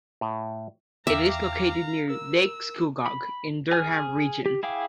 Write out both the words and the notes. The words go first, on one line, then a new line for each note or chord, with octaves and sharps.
It is located near Lake Scugog in Durham Region.
A2
E2 E5 F5 G5 A#5 D6
A#4 E6
B5
G#4 G#5 F6
G4
E4 G#4 F5 G5 D6